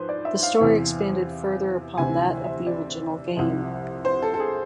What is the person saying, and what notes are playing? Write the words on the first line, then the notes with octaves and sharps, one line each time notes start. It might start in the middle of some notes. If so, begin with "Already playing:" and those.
The story expanded further upon that of the original game.
Already playing: G#2 F3 B4 C5
D5
E5
F5
E2 C3 E3
D2 C3 E3 G#5
E5
D5
C2 C3 F3
C5
A4
A4
G#4